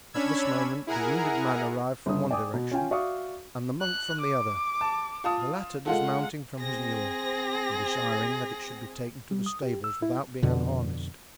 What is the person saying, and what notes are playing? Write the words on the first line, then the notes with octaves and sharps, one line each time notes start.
At this moment the wounded man arrived from one direction and the monk from the other, the latter dismounting from his mule and desiring that it should be taken to the stables without being unharnessed.
C#4 D4 C#5 B5 E6 G#6
E4 G#4 A#4 F#5 G#5 A#5
G1 D3 D#6
D5 G5 G#5 D6 D#6
B2
C#4 F4 G5 G#5
F#4 D5 E5 F5 C#6 D#6
F#6
D6
A5
F4 A5 D#6
G#3 F4 A4 F#5
C4 G#4 A#6
G3
D#6
G4
E6
E4
F2 B2 D3